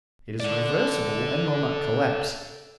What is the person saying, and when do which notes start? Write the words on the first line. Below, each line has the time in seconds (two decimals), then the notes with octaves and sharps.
It is reversible and will not collapse.
0.40 A4 D5